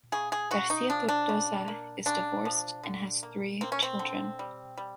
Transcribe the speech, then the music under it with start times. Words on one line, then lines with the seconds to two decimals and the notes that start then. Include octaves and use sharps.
García Tortosa is divorced and has three children.
0.12 C#3 G#4
0.32 G#4
0.51 C#3 F#4
0.70 D#4
0.90 F3 D4
1.09 D4
1.29 C#3
1.68 A#3
2.06 C#3 D4
2.45 F3
2.83 D3
3.23 A#3
3.61 A#3 C4
3.72 C#4
3.82 C4
3.99 D3
4.39 G3
4.78 G3